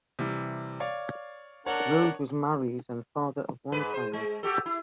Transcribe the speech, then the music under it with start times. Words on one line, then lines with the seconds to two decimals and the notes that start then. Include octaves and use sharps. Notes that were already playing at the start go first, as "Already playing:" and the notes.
Rohde was married and father of one child.
0.19 C3 E3 G3
0.80 C#5 D5 F5
1.66 D4 A#4 C#5 F#5 A5
3.72 G#2 B4
3.94 C5
4.13 G#3
4.43 F#4 G4 A4
4.66 E4